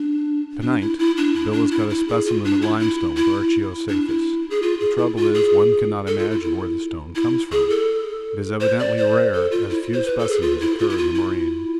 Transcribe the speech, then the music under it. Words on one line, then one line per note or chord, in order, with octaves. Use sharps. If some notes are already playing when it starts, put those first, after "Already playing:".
To-night Bill has got a specimen of limestone with archeo-cyathus--the trouble is one cannot imagine where the stone comes from; it is evidently rare, as few specimens occur in the moraine.
Already playing: D4
D4
E4
E4
D4
E4
D4
E4
E4
G#4
F4
D4
E4
E4
E4
D4
E4
G#4
F4
G#4
E4
F4
G#4
A4
F4
E4
E4
E4
G#4
A4
C5
D5
C5
A4
F4
E4
C5
B4
A4
G#4
F4
E4
F4
E4
F4
E4